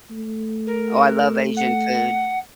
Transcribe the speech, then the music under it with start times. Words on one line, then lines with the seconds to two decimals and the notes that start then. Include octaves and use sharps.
Oh, I love Asian food.
0.10 A3
0.66 A#4
1.56 F#5